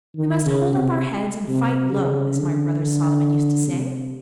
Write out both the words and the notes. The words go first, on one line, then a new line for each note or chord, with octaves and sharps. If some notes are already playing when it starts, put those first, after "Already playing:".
We must hold up our heads and fight low, as my brother Solomon used to say.
D#3
C#3
C3
C3
C#3
D3
D3
C3